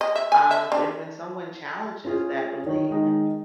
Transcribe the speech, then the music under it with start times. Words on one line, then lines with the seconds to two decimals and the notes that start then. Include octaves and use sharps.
Um, and when someone challenges that belief,
0.01 D#5
0.15 E5
0.32 G#5
0.51 E5
0.72 D4
2.04 C#4 F4 G#4
2.66 D#3 C#5
2.91 D#3 G#3 D#4